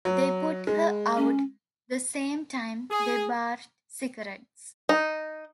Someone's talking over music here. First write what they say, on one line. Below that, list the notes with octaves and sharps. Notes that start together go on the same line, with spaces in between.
They put her out the same time they barred cigarettes.
F#3
G#3
C#4
G#4
D#4